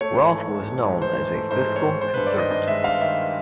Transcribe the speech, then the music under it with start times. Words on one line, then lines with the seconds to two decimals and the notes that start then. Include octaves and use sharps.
Roth was known as a fiscal conservative.
0.01 A3 C#5
0.18 G#2
0.34 E3
0.51 G#2
0.68 A3
0.84 G#2
1.00 E3 C5
1.18 G#2
1.34 A3
1.51 G#2 C5
1.68 E3
1.76 C#5
1.84 G#2
2.01 G#3 C5
2.14 G2 B4
2.27 D5
2.35 D#3 D#5
2.51 G2 D#5
2.68 G#3 E5
2.84 G2 F5
3.01 D#3 E5